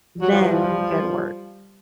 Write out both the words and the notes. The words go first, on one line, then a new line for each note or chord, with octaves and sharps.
then go to work,
F#3 G3
F3
E3
F3